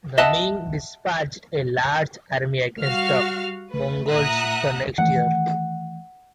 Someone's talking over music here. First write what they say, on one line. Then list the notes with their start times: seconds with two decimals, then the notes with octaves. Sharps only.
The Ming dispatched a large army against the Mongols the next year.
0.18 D#5 E5 F#5 A5
2.81 G3 F#4 F5 F6
3.70 A3 B4
4.09 A#2 E5 F#5 A#5 D#6 F#6
4.98 D#3 E3 A3 F#5